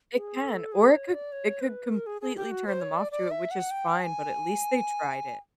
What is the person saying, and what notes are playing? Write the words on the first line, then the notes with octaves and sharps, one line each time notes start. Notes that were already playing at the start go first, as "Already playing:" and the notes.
It can, or it could it could completely turn them off to it, which is fine, but at least they tried it
G#4
A4
G#4
C#5
D5
C#5
B4
A#4
G#4
G#4
G4
F#4
C5
C#5
D5
D5
E5
F#5
G5
A5
G#5